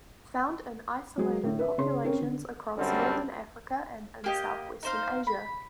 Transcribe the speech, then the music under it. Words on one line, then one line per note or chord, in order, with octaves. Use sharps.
Found in isolated populations across northern Africa and in southwestern Asia.
F#3 G#3 G#4
A2 D3
B4 E5
C#3 C#5 C6
C4 C#4 A#4 C#5
D3
F#2 D3 G3 C4 D4
A#3 G4 D#5
D#4 C5 F5
B5